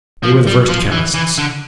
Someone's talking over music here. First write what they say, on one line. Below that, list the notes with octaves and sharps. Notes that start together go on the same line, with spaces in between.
They were the first chemists.
F3
G3
F3
E3
E3
D3